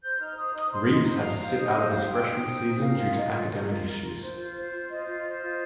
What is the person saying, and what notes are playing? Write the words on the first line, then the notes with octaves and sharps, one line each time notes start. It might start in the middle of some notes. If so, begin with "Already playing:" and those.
Reeves had to sit out his freshman season due to academic issues.
C5 G6
D#4 F6
C5 D#6
D#4 D#6
C5 C6
D#4
C5
F5
D#4
C5 F5
D#4
D#5
C5
F5
D#4
C5 G5
D#4
C5
D#4
A#4 F5
F4
A#4 D#5
F4
A#4
F4
A#4
F4
C5
F4
C5
F4
C5 D#5
F4
C5
F4